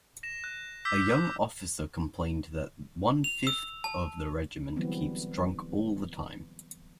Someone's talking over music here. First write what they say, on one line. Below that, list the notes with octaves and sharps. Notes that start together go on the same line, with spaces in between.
A young officer complained that one-fifth of the regiment keeps drunk all the time.
A#6 E7
F#6
D6 E6 G6 B6
F7
E6
A5
D3 E3 F#3 G3 B3 C4